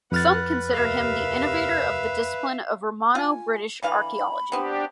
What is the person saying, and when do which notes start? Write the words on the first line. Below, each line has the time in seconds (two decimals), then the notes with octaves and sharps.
Some consider him the innovator of the discipline of Romano-British archaeology.
0.12 F2 B4 F#5 F6 A6
0.72 D#2 C3 A#4 E5 F5
3.15 F4 G#5
3.83 D3 E3 F5 B5
4.52 B3 C4 D4 G4